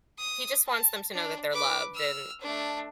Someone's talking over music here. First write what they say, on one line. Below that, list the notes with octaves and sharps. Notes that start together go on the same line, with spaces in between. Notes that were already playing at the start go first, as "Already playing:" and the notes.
he just wants them to know that they're loved and
D#6
A5
D4
B4 D6
E6 F6
A3 D4